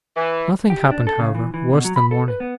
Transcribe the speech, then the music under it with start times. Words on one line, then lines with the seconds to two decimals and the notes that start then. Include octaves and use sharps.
Nothing happened, however, worse than morning.
0.17 E3
0.70 G4
0.91 D4
1.07 A4
1.20 C#3
1.35 E3
1.54 E3
1.73 B2
1.85 F#3
1.96 B5
2.11 A4
2.28 B4
2.40 B3